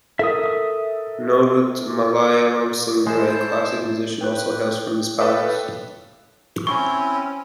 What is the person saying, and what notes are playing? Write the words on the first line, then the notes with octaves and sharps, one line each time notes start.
Noted Malayalam singer and classical musician also hails from this palace.
A4 A#4 E5 D#6
G#3 E4 C5 A5
B4 G5 F#6
A4 B4 F5 G5
C4 C#4 E4 C#6